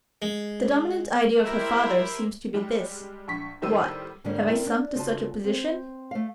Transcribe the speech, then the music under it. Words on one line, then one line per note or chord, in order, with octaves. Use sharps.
The dominant idea of her father seems to be this: 'What, have I sunk to such a position!
G#3
E4 G4 A#4 C5 E5
G3 G#3
A#1 C#6 B6
A2 D#3 G3 C5 E6 D#7
G#2 D3 G3 A#3 D4 C#5
C4 E4 A#4
D4
C#3 F4 F#4 A5
C4 C5
A3 F5